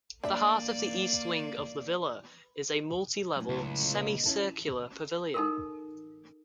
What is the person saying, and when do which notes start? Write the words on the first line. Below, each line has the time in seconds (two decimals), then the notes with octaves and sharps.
The heart of the east wing of the villa is a multi-level, semi-circular pavilion.
0.24 A#3 D4 D5 E5
3.36 F#2 A2
3.49 C#2
3.94 A#2 B4 D#5
4.26 C#4 E4 A4
5.34 D#4 A4 A#4